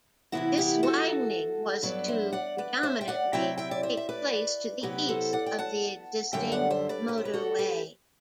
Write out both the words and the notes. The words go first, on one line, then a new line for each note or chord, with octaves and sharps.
This widening was to predominantly take place to the east of the existing motorway.
C3 E3 B3 E4 F#4
E4 G4
F#4 A4
G2 F#3 B3 D4 B4 D5
C5 E5
D5 F#5
B4 D5
C5 E5
G5
D5 F#5
C3 F#3 C4 E4 E5 G5
E5 G5
D5
C5 E5
E5
B4 D5
C3 F#3 B3 E4 G4 B4
A4 C5
D5 F#5
G5
F#5 A5
F#2 D3 G3 E5 G5
D5 F#5
C5 E5
B4 D5
G4 B4
C5
B4
F#4 A4
G4 B4